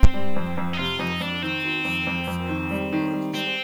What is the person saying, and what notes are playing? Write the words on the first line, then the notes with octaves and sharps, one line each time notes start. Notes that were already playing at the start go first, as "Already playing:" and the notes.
He offered proof in the form of a large chart.
Already playing: C4
G3
F2
F2
D#4
C3 F4
F2 D#4
F2 D4
D#3 C4
D#3
F2
F2
F2
D#3
G3
D#3
G3
G3 C4